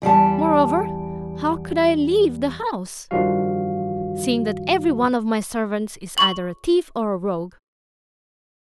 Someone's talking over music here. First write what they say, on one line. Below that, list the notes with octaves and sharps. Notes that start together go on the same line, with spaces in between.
Moreover, how could I leave the house, seeing that every one of my servants is either a thief or a rogue?
E2 G3 B3 A5
G2 D#3 F3 G3 F#4 F5
C#6 F#7